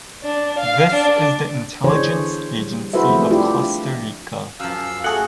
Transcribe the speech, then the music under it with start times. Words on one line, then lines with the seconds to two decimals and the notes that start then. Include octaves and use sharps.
This is the intelligence agency of Costa Rica.
0.23 D4
0.59 F5
0.92 D4
1.84 D3 E3 D4 G#4 C5 C#5
2.58 G3
2.93 E4 F#4 G#4 B4 C5 E5
3.09 F3 A3 C4
3.30 D4 E4 F4 G4
4.60 F#2 F3 F5 E6
5.04 A3 F#4 G#4 F#5